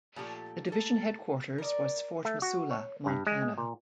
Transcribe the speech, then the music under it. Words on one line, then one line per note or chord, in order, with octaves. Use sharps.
The division headquarters was Fort Missoula, Montana.
A#2 F3 A3 G4 A4
A#3 A4
A#4 D5
A3
F#4
C#5
G2
G#3
A#2